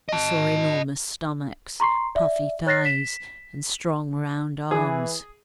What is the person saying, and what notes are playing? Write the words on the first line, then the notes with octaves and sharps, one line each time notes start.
He saw enormous stomachs, puffy thighs, and strong round arms.
D#5 A5
A#5 C6 C#6 C7
D5 E5
C#5 F#6 A6 A#6 C7
B6 E7
E3 G#4